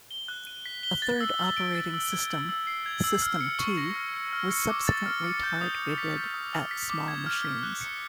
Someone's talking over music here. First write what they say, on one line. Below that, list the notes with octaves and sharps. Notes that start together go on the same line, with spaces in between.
A third operating system, System T, was subsequently targeted at small machines.
G7
F#6
D#7
B6
G7
A6
E6
E6
D7
A6
E6
G#6
E6
E6
C7
G#6
E6
F6
C#7
C#6
A#6
F6
C#7
F6
C#7
D6
A6
F6
C#7
G6
D#6
D#6
B6
G6
D#6
F6
B6
D6
G#6
F6
B6
F#6
C#7